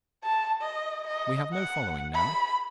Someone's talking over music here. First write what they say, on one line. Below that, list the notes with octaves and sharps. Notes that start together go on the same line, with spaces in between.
We have no following--now.
A5
D#5
D#5
F#5
B5